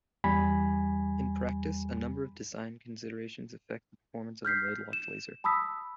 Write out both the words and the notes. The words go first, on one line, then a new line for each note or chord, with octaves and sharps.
In practice, a number of design considerations affect the performance of a mode-locked laser.
E2 G3 G#5 B5
F6 G6 B6 C7
E7
A5 B5 D#6 E6 B6